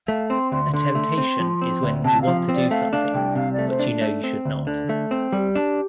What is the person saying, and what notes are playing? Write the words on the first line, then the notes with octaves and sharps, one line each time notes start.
A temptation is when you want to do something but know you should not.
A3 F5
C4 C6
D2 C6
D3 C6
A3
C4
F3
C4
D2
C3 A5
F5
F3
C4
D5
A3 F5
D4 F5
C2 G5
C3 F5
D5
A3
C5
D4
A3
C4
D2
D3
A3
C4
G3 A4
G4
D4